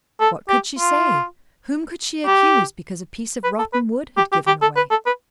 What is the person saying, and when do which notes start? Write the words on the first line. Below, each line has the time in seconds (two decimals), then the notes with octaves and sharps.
What could she say, whom could she accuse, because a piece of rotten wood had given away.
0.20 A4
0.49 G4
0.79 F4
2.26 G4
3.44 B4
3.58 A4
3.73 B4
4.17 G4
4.32 G4
4.47 G4
4.62 A4
4.76 B4
4.91 A4
5.06 B4